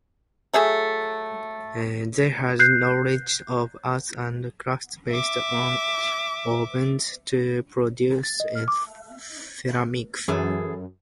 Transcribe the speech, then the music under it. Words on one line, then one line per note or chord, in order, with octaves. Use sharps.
They had a knowledge of arts and crafts based on ovens to produce ceramics.
F#3 A3 G#4 E5
F#6 G6 C7
E5 D6
A6
D#5
F6
D6
F#2 E3 G#4 A4